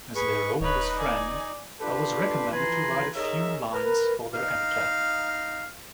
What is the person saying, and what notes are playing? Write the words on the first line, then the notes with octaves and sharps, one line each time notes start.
As their oldest friend, I was recommended to write a few lines for their epitaph.
G#4 B4 C#6
D#1 D#4 B4 C#5
D5 G#5
D4 F4 G4 A4 B4 C6
E3 F3 B4 G#5 A#5 C6
D#4 G#4 A#4 C#5 E5
A#4 B4
D#4 F5